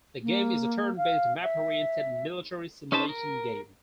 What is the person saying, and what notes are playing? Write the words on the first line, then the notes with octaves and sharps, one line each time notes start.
The game is a turn-based map-oriented military simulation game.
A#3
F5
E5
C#4 D#4 B4 C5 A5
A#4